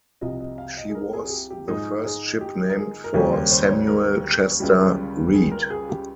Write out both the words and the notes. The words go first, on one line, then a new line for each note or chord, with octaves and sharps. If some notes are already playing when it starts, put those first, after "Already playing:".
She was the first ship named for Samuel Chester Reid.
C2 C3 F3 D#5
D#5
F5
D#5
G#4
A#4
G#4
G#4
G4
G4
G#2 F3 G#3 D#4 G#4
G#4
G4
A#4
G#4
A#4
D#2 C#3 G3 C#4 G#4
A#4
C5
C5
C#5
A#4
C#2 C#3 G3
G#4
A#4
G#4
G4